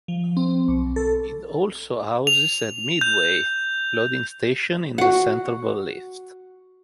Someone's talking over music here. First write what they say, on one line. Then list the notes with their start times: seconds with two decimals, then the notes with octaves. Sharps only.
It also houses a "midway" loading station in the center of the lift.
0.08 F3
0.37 C4
0.68 B1
0.96 A4
2.27 F7
3.01 G6
4.98 F#4 F#5